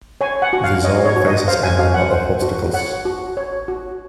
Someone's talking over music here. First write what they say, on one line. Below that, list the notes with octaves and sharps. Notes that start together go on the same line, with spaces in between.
The zone faces a number of obstacles.
C#5 G#5
F#5
F#4
F5
C#5 D#5
C#5
F#4
D#5
C5 F5
G#5
F#4 F5
F#5
C5
F#4
C#5 F#5
F#4
C#5
F#4